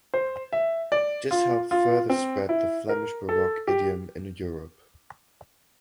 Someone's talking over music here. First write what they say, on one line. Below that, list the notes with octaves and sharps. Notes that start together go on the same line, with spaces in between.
This helped further spread the Flemish Baroque idiom in Europe.
C5
E5
D5
F4
F4
C4
E4
A#4
A4
G4